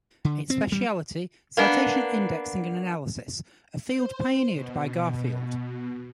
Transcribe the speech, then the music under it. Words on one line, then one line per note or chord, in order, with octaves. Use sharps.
Its specialty: citation indexing and analysis, a field pioneered by Garfield.
D3
C4
G3
A#3 B3 D4
C5
B2